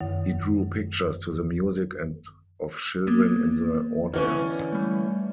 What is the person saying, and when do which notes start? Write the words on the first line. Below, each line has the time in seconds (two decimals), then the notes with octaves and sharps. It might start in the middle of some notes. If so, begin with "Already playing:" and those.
He drew pictures to the music and of children in the audience.
0.01 F#2 D#3
3.07 A#3 B3
4.13 D3 E3 C#4 F6
4.72 G3 A3